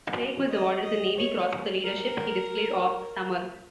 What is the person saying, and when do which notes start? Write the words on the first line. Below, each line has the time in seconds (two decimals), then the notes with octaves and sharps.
Sprague was awarded the Navy Cross for the leadership he displayed off Samar.
0.14 F#4
0.49 D#5
0.83 D#5
1.17 C#5
1.85 A#4